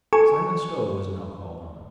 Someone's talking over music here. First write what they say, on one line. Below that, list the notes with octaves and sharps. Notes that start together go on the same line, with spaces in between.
Simon Stow was now called on.
A4 G#5 C#6